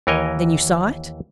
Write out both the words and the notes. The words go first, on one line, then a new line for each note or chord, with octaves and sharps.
"Then you saw it?"
D#2 E3 A#4 C#5 D#5 G#5